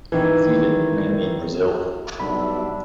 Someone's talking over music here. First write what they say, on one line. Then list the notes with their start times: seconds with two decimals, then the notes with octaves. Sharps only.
It is eaten mainly in Brazil.
0.12 D#3 E3
2.20 B1 G3 D4 F#4 E5 B5